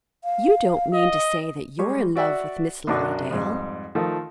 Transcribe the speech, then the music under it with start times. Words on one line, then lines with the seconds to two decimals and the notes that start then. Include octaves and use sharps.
"You don't mean to say that you're in love with Miss Lily Dale?"
0.24 F5
0.94 D#5
1.79 G3 G#3 G4 C#6
2.16 F#4 D5 E5 F#5
2.87 B1 F#2 F#3 D4 F#4 D6
3.31 F2 G#2 G3
3.95 D#3 F3 A3 D#4 F4